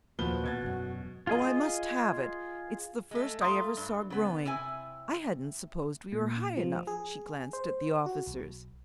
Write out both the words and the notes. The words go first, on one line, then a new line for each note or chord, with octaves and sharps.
'Oh, I must have it--it's the first I ever saw growing; I hadn't supposed we were high enough.' She glanced at the officers.
D#2 A#2 F3 A#3 F#4 B4 G7
B2 G#6 A6
E1 F#2
F4 G#4 D#5
G#3 A3
A3 F4 A#5 C6 D#6
G2
C#3 B3
C3 E4 G#5
A#2
F3
G#4
C5
F#4
B1